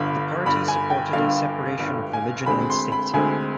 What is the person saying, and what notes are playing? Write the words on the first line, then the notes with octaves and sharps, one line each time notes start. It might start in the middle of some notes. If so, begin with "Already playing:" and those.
The party supported a separation of religion and state.
Already playing: G1 G2 D3 B5
G1 G2 D3 B5
G#5
G5
G1 G2 D3 F5
G1 G2 D3
G#5
D2 D3 G#3 C4 B5
C6
B5
D2 D3 G#3 C4 G#5